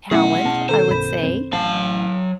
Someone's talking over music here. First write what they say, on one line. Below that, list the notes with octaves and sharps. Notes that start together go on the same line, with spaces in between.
talent, I would say,
B2 F#3 A3 C#4 E4 G#4 E5 F#5
B2 C#4 A5
D#3 A4 C5
B1 G2 B5
F#2 C4
A1 F#3 F5 A5